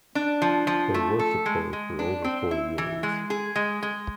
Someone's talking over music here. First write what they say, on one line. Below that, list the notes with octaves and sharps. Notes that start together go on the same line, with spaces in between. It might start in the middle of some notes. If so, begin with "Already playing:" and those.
They worshiped there for over four years.
D4
F3
F3
A3
A4
G#3
G#3
D4
C4
E4
E3
G#3
G#4
G#3
G#3